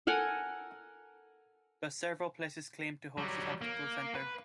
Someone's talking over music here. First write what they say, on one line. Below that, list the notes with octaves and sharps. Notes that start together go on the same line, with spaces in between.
Thus, several places claim to host this hypothetical centre.
A4 A#4 F#5 G#5
F#3 G3
A#3
B4